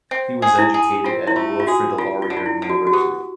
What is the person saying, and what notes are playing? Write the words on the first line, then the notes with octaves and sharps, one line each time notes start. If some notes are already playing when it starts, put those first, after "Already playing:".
He was educated at Wilfrid Laurier University.
C4
G#4
E4
G#4
C4 F4
E4
A3 F4
F4
F#4 G#4
D3 F4
F4
D3
F4
E4
D3
F#4
F#4
B3 G4